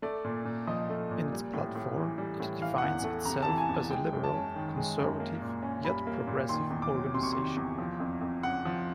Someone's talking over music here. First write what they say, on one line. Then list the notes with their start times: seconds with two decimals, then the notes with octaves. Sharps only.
In its platform, it defines itself as a liberal, conservative, yet progressive organization.
0.02 A3 D5
0.24 A#2
0.45 A#2
0.67 F3 D#5
0.90 A3
1.11 A#2
1.32 G3
1.54 A2
1.75 A2
1.97 E3
2.18 G3
2.40 A2
2.61 E3 F5
2.78 F#5
2.83 E2
3.04 A3
3.25 C3 A#5
3.43 A5
3.48 E3
3.58 G#5
3.69 E2
3.74 G#5
3.90 G#3 G5
4.13 F#2
4.24 A5
4.34 C#4
4.56 D#3
4.77 G#3
4.99 F#2
5.20 A#3
5.42 A#2
5.62 C#4
5.85 G3 B5
6.07 A#3
6.27 A#2
6.49 D#3 C6
6.70 E2
6.82 D6
6.93 F#3
7.13 C3 C6
7.23 C#6
7.33 D#3 C6
7.56 E2
7.78 F3
8.00 F2
8.21 F2
8.43 C#3 F#5
8.65 F3